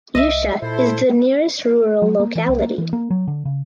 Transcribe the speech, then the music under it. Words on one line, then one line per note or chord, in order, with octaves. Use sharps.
Yusha is the nearest rural locality.
C2 D#5 E5
A#2 E4 A4 C5
F#3
A#3
E3
C2
A#3
E3
A#3
F#3
D3
C#3